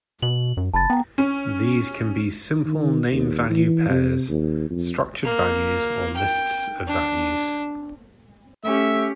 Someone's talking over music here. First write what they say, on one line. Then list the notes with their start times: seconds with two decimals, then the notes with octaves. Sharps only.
These can be simple name-value pairs, structured values or lists of values.
0.22 B2 F#7
0.57 F#2
0.74 F#1 A5 B5 A6
0.90 B3 G5 A#5
1.18 C#4
2.66 D#3
3.12 D#2
3.50 E3
3.89 C3
4.29 D#2
4.70 F2
5.24 A#3
6.16 G5
6.88 D4
8.65 A3 C#4 G4 E5 E6